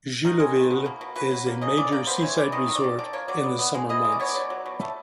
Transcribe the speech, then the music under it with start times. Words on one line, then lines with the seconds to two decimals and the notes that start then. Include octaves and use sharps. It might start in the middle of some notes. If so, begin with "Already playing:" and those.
Jullouville is a major seaside resort in the summer months.
0.25 D#3 A#4
0.40 G#3
0.56 D#3
0.71 B2
0.86 A#3
1.01 B2
1.16 F#3 B4
1.31 F#3
1.46 A#3
1.61 C#3 D#5
1.77 C#3 D5
1.92 A#3 D5
2.07 B3 C5
2.22 E3 C#5
2.37 E3 D5
2.52 D#3 D#5
2.68 D#3
2.75 D5
2.84 D#3
2.99 D3 D5
3.13 A#3 C#5
3.28 F#3 D5
3.43 B3
3.59 B3
3.75 G#3
3.89 E3 D#5
4.05 G#3
4.12 D5
4.20 B3 C#5
4.29 D5
4.35 F#3
4.50 F#3
4.66 B2
4.81 A3